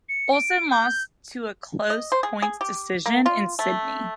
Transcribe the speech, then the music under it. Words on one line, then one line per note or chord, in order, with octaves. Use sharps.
Olson lost to a close points decision in Sydney.
C#7
D7
G6
D#5
C5
G#4
G#4
G4
A#3
F4
A3